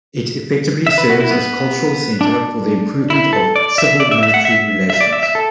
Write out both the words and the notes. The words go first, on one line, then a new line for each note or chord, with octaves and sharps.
It effectively serves as cultural center for the improvement of civil–military relations.
E5
B4
F#4
E4
B3
D4
E4
A4
D5
E5
D5
E5
E5
F#5
E5
E5
D5
E5
E5
A4